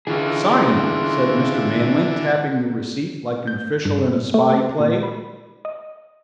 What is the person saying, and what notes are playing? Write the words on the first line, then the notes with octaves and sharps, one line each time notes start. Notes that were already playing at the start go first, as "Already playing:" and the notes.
"Sign!" said Mr. Manley, tapping the receipt like an official in a spy play.
D3 E3 F4 G#4
G6
G2
A3
A#2
B5
D#5